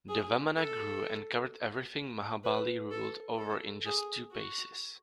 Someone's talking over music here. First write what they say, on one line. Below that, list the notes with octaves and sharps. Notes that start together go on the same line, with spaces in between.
The Vamana grew and covered everything Mahabali ruled over in just two paces.
G#4
A4
B4
A4
A4
G#4
F#4